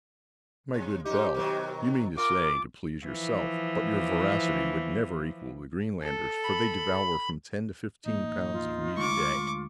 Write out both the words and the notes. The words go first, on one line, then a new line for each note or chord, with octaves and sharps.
"My good Bell, you mean to say to please yourself, but your voracity would never equal the Green-landers', for they devour from ten to fifteen pounds of meat a day."
C3
F#2 D#4 G4
B2 D#3 F#3
F4 A#4 D6
E3 F3
A4
B5
A1 A#3 D#4
F4
D2 G#3 C#6 D6